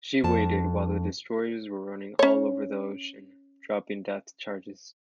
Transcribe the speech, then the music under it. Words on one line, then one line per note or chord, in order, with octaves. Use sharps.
She waited while the destroyers "were running all over the ocean" dropping depth charges.
F2 A5
C#4 C#5